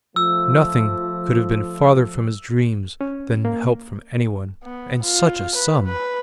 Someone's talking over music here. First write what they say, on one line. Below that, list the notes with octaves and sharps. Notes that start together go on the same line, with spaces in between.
Nothing could have been farther from his dreams than help from any one--and such a sum!
F3 A3 E6
C#4
A#3
B3
F4
B4
B4